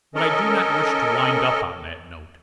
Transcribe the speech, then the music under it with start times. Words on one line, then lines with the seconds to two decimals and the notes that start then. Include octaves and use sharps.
But I do not wish to wind up on that note.
0.15 C#4 A4 A#4 D#5